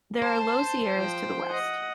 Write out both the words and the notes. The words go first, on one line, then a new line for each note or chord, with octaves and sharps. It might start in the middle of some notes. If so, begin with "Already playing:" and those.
There are low sierras to the west.
C5 A5
F3 G5
D#5 F#5